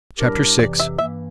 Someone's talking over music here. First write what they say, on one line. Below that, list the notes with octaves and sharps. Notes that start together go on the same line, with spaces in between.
Chapter VI.
A2 G3 D4 G4 A#4
F2 C3 E3 D5
E5
G2 E3 A#3 E5